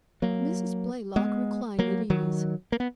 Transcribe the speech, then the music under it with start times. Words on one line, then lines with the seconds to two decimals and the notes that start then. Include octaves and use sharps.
Mrs. Blaylock reclined at ease.
0.22 F#3 A#3
1.16 G#3 B3
1.79 F#3 A#3
2.10 D#3 F#3
2.72 A#3
2.80 B3